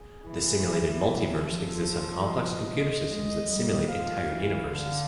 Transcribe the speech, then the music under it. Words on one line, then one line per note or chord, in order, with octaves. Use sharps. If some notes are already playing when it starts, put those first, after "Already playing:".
The simulated multiverse exists on complex computer systems that simulate entire universes.
Already playing: G#4
E3
F3 A4
D#5
G#3
G3
F3 F5
E3
D3